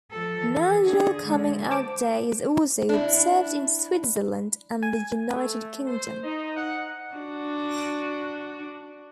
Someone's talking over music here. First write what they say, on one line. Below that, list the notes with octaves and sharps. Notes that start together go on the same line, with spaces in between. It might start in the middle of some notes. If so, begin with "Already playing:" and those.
National Coming Out Day is also observed in Switzerland and the United Kingdom.
F3 A4
E3
D3 G#4
D3 G#3
C5 A5 D6 D7
D4 E4
G#5
A3
C5
D#4
F#5
D4 F#4